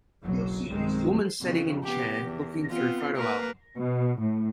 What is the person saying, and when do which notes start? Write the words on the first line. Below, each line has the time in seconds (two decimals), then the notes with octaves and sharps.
Woman setting in chair looking threw photo album.
0.23 F#1 B1 F#3
0.68 B1 G2 D#3 G#3 C4
1.42 F2 C#3
1.84 B3 G4
2.24 E2
2.70 B3 C4 F4
3.16 A#3 A#4 B4
3.77 B2
4.21 A2